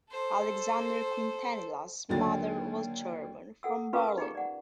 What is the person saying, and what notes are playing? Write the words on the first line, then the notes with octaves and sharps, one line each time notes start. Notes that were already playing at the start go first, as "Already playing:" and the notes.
Alexandre Quintanilha's mother was German, from Berlin.
A4 C5
D#2 D3 F#3 A6
A4 F#5 E6
C#4 F4 A#4 B4 F5 C#6
D#4 G4 G#4 A#5
D5 F#5